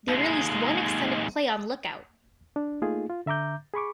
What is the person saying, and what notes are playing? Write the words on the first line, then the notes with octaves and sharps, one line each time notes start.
They released one extended play on Lookout!
D#2 G#3
D4
A3 A#3 D#4 F4 G#4
F4
D3 E5 A#5 D6 G6
G#4 B5 C#6 D6